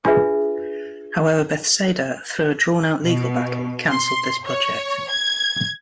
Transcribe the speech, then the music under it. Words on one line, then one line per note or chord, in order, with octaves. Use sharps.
However Bethesda, through a drawn out legal battle, cancelled this project.
D4 F4 G#4 B4 E5
B2
C6
C#5
G#6